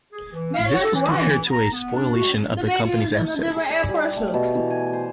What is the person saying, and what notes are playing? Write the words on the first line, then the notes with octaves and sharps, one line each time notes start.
This was compared to a spoliation of the company's assets.
G#4
E3
F5
C#5
A4
E3
E3
A#5
B3
D4
F#4
G#4
D5
G3
A3
B2
E3
G#5
C5